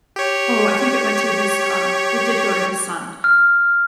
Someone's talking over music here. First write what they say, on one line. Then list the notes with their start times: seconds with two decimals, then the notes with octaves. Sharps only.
oh, I think it went to his, um it did go to his son,
0.16 G4 C#5
3.24 F6